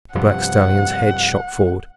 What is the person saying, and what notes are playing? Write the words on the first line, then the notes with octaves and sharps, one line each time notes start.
The black stallion's head shot forward.
G2 C3 F3 F#5